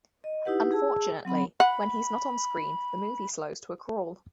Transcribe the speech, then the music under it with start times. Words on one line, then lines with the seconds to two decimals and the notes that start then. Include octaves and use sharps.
Unfortunately, when he's not on screen, the movie slows to a crawl.
0.24 D#5
0.45 D#4 E4 G4 B4 F#5
0.72 G#4 A5 E6
1.25 F#3 C4 F#5 B5
1.60 F#5 B5